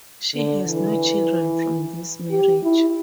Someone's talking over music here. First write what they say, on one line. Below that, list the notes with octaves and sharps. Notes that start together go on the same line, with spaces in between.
She has no children from this marriage.
D3
E3
G4
E4